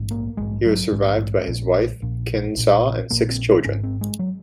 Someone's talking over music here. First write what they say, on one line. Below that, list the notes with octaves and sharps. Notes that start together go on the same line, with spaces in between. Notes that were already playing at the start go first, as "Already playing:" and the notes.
He was survived by his wife Khin Saw and six children.
Already playing: A#1 G#2
A#3
A#1 G#2 G#3
F#3
A#1 G#2 G#3
A#1 A#2
A#1 A#2
A#1 A#2
A#1 A#2 A#3
C4
G#1 G#2 C#4
C4
G#3
F#3